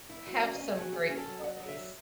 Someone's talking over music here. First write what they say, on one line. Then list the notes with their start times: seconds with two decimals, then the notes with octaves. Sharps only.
have some great holidays,
0.09 E4
0.17 E5
0.27 F#3
0.42 C#4 D#5
0.55 C#4 D#5
0.69 G#4
0.77 F#3 F#4
0.92 F#3 G#4
1.09 C#4
1.18 A4
1.27 F#3
1.43 F#3 F#5
1.57 F#3 D#5
1.68 E5
1.76 F#3